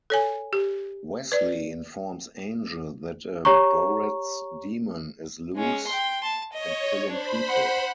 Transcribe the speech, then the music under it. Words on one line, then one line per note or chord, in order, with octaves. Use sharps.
Wesley informs Angel that a Boretz demon is loose and killing people.
A4 C#5 G#5
G4
B4 D5
G4 C#5 A#5 C#6
G#3 C#4
G5 C6
A5
C#5 D#5
D4 C5 B5
F#5